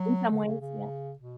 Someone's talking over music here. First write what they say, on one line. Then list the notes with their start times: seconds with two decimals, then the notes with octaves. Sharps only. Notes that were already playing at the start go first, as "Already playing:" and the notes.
In some ways, yeah.
Already playing: F#3
0.31 D3
0.46 C#3
0.61 C#3
1.19 B2